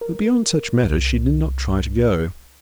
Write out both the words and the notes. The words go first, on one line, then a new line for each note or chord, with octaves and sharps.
But beyond such matters she did not try to go.
A#4
C2